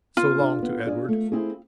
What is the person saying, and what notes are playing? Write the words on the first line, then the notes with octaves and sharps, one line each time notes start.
"So long," to Edward.
B3 F4
D4 G#4 D5
B3
D4 G#4 D5
A3
C4 E4 G#4